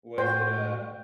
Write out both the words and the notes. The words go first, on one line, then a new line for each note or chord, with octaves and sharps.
Was it a
A2 F#4 C5 G5